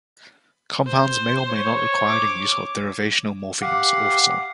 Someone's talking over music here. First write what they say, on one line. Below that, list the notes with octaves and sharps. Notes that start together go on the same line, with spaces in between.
Compounds may or may not require the use of derivational morphemes also.
C5
C#5
D6
G4 F5 F#5